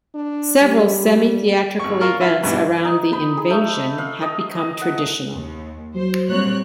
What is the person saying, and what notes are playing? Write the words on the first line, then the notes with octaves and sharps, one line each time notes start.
Several semi-theatrical events around the "invasion" have become traditional.
D4
G3
G#1 C#6
F4 A#4 F5 C#6
E4 F4 B5
G2 B2 E3
D#4
B5
G#4
A3
F5
D#5
D#5
F#5
D#2
F#3 C5
A#2 G3 C4 C#5 F#6